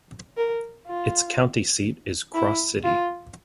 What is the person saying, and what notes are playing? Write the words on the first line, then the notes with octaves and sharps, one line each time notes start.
Its county seat is Cross City.
A#4
F4
E4
F4